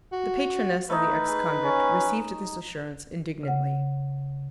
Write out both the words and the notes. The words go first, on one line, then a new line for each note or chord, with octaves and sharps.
The patroness of the ex-convict received this assurance indignantly.
F#4
A3 D#4 B4
G#4
C#4
C#3 F#5